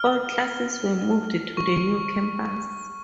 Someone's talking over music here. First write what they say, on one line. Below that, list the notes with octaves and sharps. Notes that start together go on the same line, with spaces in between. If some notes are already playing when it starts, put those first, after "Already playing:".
All classes were moved to the new campus.
Already playing: F6
C#6